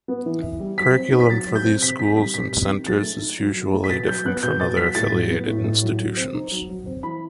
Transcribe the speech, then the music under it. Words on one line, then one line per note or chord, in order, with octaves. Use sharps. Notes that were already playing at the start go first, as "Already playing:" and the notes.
Curriculum for these schools and centers is usually different from other affiliated institutions.
B3
E3
E4
G3
F#3 B6
C4
D#4
B6
F#3 A6
F#3
G6
C4
C3 B6
D#3 B6
G3 B6
C3 B6
C3
D#3
F#3 A6
A3
D#4
F#3
F#3
A3
B6
B2 A6
F#3 G6
B3 F#6
B2 G6
B2 A6
F#3 B6
A2 A6
F#3
B3
A2
A2
F#3
F#3
C4
D#4
F#3
F#3
C4
E3 B5